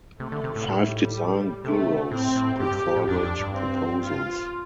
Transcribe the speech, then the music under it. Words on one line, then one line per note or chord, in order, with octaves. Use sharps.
Five design bureaus put forward proposals.
C3 A3
D3
C3
A2
A2 G3
C3 A3
A2 C4
A2
G2 G4
G2
A2
F2 D4
F2
G2
C4
F4